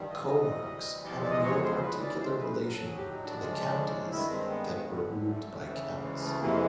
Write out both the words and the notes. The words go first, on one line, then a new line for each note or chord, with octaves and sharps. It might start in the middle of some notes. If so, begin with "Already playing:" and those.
Comarques have no particular relation to the "counties" that were ruled by counts.
Already playing: G2 D#3 G3
D#5
D2 C3 E3 G3
E2 C3 F3 G#3 D5
D5
D#5
C#5
C5
D2 C#3 E3 G#3 B4
D5
C5
B4
A2 F#3 A#4
A4
G#4
G4
D#4
D4
D2 C#3 F3 G#3
G2 D#3 G#3 E4
C4
B3
F#2 D3 G3
A3
D2 C#3 E3
G#3
A3
F2 C3 E3 G#3 A#3